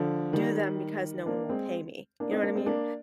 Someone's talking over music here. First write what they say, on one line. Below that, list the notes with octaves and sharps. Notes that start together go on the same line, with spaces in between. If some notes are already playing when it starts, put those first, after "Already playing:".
do them because no one will pay me. You know what I mean?
Already playing: D3 F3
D#3 G3
A#3 D4
G#3 C4
A#3 D4
C4 D#4
A#3 D4
G#3 C4
A#3 D4